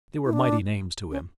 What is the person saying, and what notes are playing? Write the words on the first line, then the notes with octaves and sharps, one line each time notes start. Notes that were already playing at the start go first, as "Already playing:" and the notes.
They were mighty names to him.
E4
D4
C#4